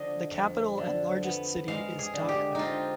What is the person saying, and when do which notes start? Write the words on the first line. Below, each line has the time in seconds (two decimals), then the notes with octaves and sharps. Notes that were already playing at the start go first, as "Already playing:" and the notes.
The capital and largest city is Dhaka.
Already playing: D3 F3 D#5
0.33 F2
0.78 D3
1.23 B3
1.68 G#3 F5
1.99 G#4
2.13 D3
2.28 G4
2.55 C4 D#4 F4